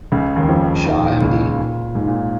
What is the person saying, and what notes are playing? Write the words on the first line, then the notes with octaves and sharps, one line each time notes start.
Shah Md.
C#2 C#3
D#2 D#3
F2 F3
D#2 D#3
A#2
A#2
C#2 C#3
A#2
G#2
A#2